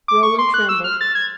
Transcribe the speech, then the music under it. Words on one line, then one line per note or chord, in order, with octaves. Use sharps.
Rollin trembled.
D6
C#6
C6
F#6
E6
F6
A6
G#6